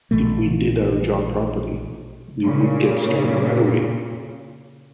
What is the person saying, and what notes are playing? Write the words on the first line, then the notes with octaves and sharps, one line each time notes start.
If we did our job properly, we would get started right away.
A#1 B2 E3 A3
A#2 C#3